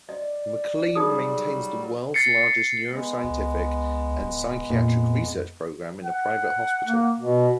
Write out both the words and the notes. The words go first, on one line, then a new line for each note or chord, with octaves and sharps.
McLean maintains the world's largest neuroscientific and psychiatric research program in a private hospital.
D5 D#5
F#3 G3 D#4 G#4 D#6
A6 C7 C#7
G#3 B3
C#2
D1
F2 A#2
F#5
A#3
B2